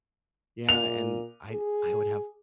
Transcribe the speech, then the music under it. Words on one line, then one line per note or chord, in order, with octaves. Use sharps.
yeah, and I I would have
A#2 F7
G#4